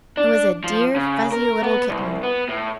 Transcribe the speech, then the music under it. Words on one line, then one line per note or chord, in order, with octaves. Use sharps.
It was a dear fuzzy little kitten.
D4
F3
C#3
A#4
B3
C2
B3
A2